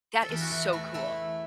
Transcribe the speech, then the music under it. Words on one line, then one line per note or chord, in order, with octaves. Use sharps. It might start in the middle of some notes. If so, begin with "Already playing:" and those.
That is so cool.
A4
E2 G4
F#4
E3 E4
A3 F#4
A3 E4